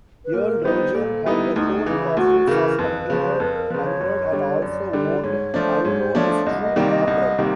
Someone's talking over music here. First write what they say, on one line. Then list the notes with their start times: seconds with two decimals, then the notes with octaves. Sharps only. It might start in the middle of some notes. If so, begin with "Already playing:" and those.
Earl Roger had the whole profits of Condover hundred and also owned Alnodestreu hundred.
0.25 B4
0.33 A#2 A#4
0.64 G3 B3 D#4 C5
0.94 A#2 A4
1.26 G3 B3 D#4 E4
1.56 D2 D#4
1.76 D#4
1.86 C#3 E3
1.97 E4
2.17 D2 F#4
2.47 C#3 E3 A#4
2.78 F2 B4
3.10 C#3 F3
3.33 C5
3.40 F2 B4
3.55 A#4
3.70 C#3 F3 B4
3.86 C#5
4.01 F#2
4.32 D3 G3
4.62 F#2 D5
4.93 D3 G3
5.24 G#2 C#5
5.54 F3 A3 D4 C5
5.85 G#2 C#5
5.99 C5
6.15 F3 A3 D4 C#5
6.30 D5
6.46 C2 D#5
6.61 D#5
6.76 C3 D#3 G3 A#3 D5
6.91 D#5
7.07 C2
7.38 C3 D#3 G3 A#3